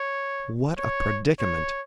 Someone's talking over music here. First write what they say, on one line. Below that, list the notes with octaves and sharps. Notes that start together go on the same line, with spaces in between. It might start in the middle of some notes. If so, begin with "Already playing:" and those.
What a predicament!
Already playing: C#5
C#5
C#5